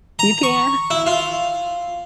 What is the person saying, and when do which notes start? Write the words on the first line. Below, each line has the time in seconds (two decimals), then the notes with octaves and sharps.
You can?
0.19 A#5
0.43 C#6
0.90 E4
1.06 F4